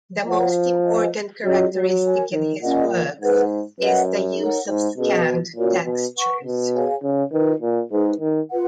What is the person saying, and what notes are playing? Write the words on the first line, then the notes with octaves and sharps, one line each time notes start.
The most important characteristic in his works is the use of scanned textures.
F3 F#4 C#5 F#5
B4 D#5 G#5
F#3 C#4 F4 G#4 D#5
F#3
F#4 A#4 C#5 G#5
D#3
A#2 C#4 G#4 D#5 F#5
G#2 G#4 B4 F#5
F#2 B4 D#5 F#5
D#4 A#4 C#5 F#5
G#2
B2 C#4 G#4 B4 D#5
A#2 C#4 F#4 A#4 C#5
B2
B4 F#5 C#6
B2
G#4 C#5 F5 G#5
C#3
D#3 F4 B4 D#5
A#2
G#2 D#4 G#4 B4
D#3
F4 B4 F#5